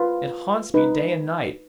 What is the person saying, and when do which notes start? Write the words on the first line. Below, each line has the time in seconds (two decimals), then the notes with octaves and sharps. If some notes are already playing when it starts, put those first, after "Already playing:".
It haunts me day and night.
Already playing: F4 B4
0.74 D#4 B4